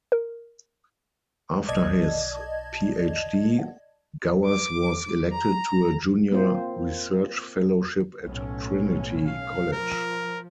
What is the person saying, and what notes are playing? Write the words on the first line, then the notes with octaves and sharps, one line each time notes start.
After his PhD, Gowers was elected to a Junior Research Fellowship at Trinity College.
A#4
B1 D5 D#5 A5 G#6
D6
A#5
A#3 C4 F4 C5
B1 A2 C#4
F5
F3 A#4